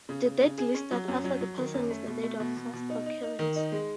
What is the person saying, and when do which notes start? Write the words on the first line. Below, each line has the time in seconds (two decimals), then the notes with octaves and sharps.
The date listed after the person is the date of first occurrence.
0.09 C#3
0.25 C#3
0.42 C#3
0.58 G#4
0.74 C#4
0.91 F#3
1.08 F#2
1.24 F#3
1.41 F#3
1.57 D#3
1.74 F#2
1.90 A3
2.07 B2
2.23 A3
2.40 B2
2.56 B2
2.73 B2
2.90 D#4
3.06 D#4
3.23 D#4
3.39 D#3
3.56 D#4
3.72 G#3